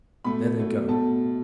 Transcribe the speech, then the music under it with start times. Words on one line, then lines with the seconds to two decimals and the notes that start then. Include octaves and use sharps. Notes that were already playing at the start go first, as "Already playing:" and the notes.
"There they go!"
0.24 B2 A3 B5
0.57 B2 A3
0.89 B2 A3 A5